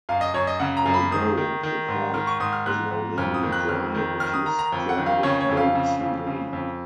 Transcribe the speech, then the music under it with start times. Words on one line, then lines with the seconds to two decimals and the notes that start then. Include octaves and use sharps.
Although the port is now mainly dry, a few stranded boats remain.
0.09 F#2 F5
0.21 D#5
0.34 F#2 C#5
0.47 D#5
0.60 C#3 F#5
0.77 A#5
0.86 F#2
0.94 B5
1.11 D#3 D#6
1.37 D#3
1.63 D#3
1.88 G#2
2.14 D#3 F6
2.27 C#6
2.40 G#2 D#6
2.53 F6
2.66 G#2 F#6
2.91 G#2
3.18 F2 F6
3.34 D#6
3.43 D#3
3.52 F#6
3.69 F2 F6
3.95 D#3
4.20 D#3 F6
4.34 D#6
4.46 D#3 A#5
4.59 A#5
4.72 F2
4.89 F#5
4.98 D#3
5.06 F5
5.23 C#3 C#5
5.41 C#5
5.49 F2
5.57 F5
5.75 C#3
6.00 F2
6.27 C#3
6.53 F2